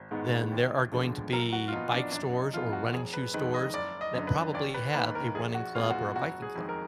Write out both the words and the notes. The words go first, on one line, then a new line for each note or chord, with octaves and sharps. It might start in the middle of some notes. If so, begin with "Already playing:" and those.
then there are going to be bike stores or running shoe stores that probably have a running club or a biking club.
Already playing: G#1
G#2 D#3 G#3 B3
D#2
D3 F3 G#3 B3
B1 A#4
F#4
F4
A#2 F3 B3 D#4
D4
F#2 D4
D#4
F3 B3 F4
F#4
F1 G#4
B4
F2 D#3 G#3 B4
D#5
F#1 D5
D#5
F#2 D3
B4
D#2 D5
B4
D#3 A#3 B4
A#4
A#1 G#4
F#4
A#2 G#3 B3 F4
F#4
F4
F#1 F#4
G#4
F2 D#3 G#3
A#4